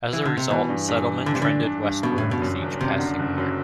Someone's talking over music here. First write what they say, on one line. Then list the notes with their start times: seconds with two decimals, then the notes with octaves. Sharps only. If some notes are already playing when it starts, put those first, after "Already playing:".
As a result, settlement trended westward with each passing year.
0.13 E3
0.25 D3
0.37 C3
0.50 B2 E3
0.69 G2
0.88 G2
1.07 E3
1.26 D3 D4
1.35 C3
1.42 D3 D4
1.66 D4
1.84 G2
2.03 F#1 B2
2.18 F#1 A2
2.31 B2
2.42 F#2
2.61 F#1
2.81 F#1 C3
2.99 D3
3.19 F#1
3.38 F#2